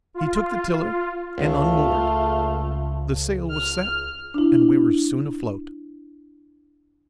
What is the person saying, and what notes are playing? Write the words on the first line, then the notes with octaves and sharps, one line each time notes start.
He took the tiller, and unmoored; the sail was set, and we were soon afloat.
F4
F4
C#2 A3 F4
F6
D4 E4